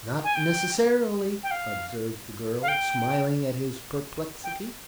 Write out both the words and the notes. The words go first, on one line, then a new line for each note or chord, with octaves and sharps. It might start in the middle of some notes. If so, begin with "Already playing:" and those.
"Not necessarily," observed the girl, smiling at his perplexity.
G#5
G5
G5
F5
F5
G5
G5